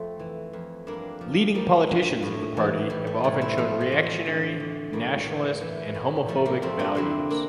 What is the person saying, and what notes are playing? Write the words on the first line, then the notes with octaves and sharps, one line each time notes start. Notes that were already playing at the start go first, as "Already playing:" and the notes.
Leading politicians of the party have often shown reactionary, nationalist, and homophobic values.
Already playing: F2 A3 C4
E3
F2
G2 A#3 D4
F3
F3 G3 A#3
G2
A2
E3
E3 G3
A3
A2 G3
C4 E4
F3 A3 C4
A3 C4
E2
A3
D3
E2
A2 G3 A#3
E3
E3
A2
F3 A3
G3 A#3
F2 A3 C4
A#3 D4
D3 C4 E4
A#3 D4